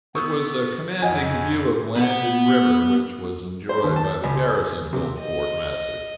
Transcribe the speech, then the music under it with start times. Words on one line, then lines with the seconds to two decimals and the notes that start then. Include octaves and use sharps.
It was a commanding view of land and river, which was enjoyed by the garrison of old Fort Massac.
0.15 B3 C#6 D#6 E6
1.02 F2 C#5 D#5 F#5 G#5
1.96 B3 F#5
3.69 C5
3.84 D#2
3.96 A5
4.23 C#2
4.93 C3
5.21 D#5